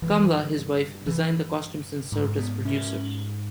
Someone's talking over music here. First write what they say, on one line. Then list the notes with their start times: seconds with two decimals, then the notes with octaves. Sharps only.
Kamla, his wife, designed the costumes and served as a producer.
0.02 G2 E3
1.07 E3
2.12 G#2
2.39 B3
2.65 C#4